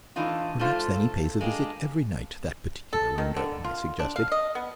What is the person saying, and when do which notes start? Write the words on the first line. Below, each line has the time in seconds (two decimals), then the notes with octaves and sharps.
"Perhaps then he pays a visit every night to that particular window," I suggested.
0.16 E3 A3 D4 D#4 F4
0.59 G#2 A3 D4 F4 C5
0.94 A4
1.41 G#3 A#3 D4 D#4 G4
2.93 A4
3.18 D#3
3.37 D3
3.64 F4
3.99 D4
4.16 F5
4.32 D#5
4.55 B3